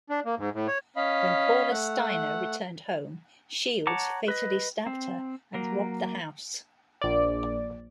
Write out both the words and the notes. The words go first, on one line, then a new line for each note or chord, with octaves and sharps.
When Paula Steiner returned home, Shields fatally stabbed her and robbed the house.
D4
A#3
G#2
A2
C#5
C#4 D#5 F5 B5
A3 F#5
C#5 F#5 A5 A#5 D6
B4 D#5
C4
F#3 A#3
A#1 D5